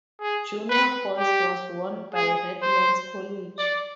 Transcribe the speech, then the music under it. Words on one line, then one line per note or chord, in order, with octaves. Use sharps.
Junior boys was won by Redlands College.
G#4
B4
G4
G#4
C5
D5